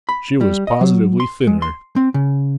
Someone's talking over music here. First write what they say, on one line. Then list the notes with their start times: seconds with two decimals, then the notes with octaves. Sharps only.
She was positively thinner.
0.09 B5
0.41 G3
0.67 D#5
0.81 F#3
1.20 C6
1.47 G#3
1.62 C6
1.96 C4
2.14 C#3